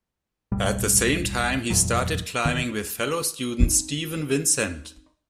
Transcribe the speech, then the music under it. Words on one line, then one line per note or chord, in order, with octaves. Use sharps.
At the same time, he started climbing with fellow student Steven Vincent.
D#1 B1 A2 G3
F#1 E2 A#2 F#3
F1 D2 D#3 B3
C4 D#4